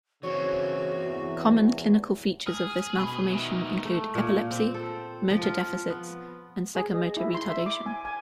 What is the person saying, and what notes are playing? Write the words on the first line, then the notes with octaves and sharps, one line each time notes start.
Common clinical features of this malformation include epilepsy, motor deficits, and psychomotor retardation.
C#3 E3 C4 F#4 C#5
E2
G#4 F6
B2 B5 G7
D#3 E3
A3
A#2
C4
A4
F3
F4
B3
G#4
D#5
E4
C6
E5
D6
G#5
G#5